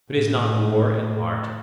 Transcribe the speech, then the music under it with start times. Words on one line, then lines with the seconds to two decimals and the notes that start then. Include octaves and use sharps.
But is not war an art?
0.12 A2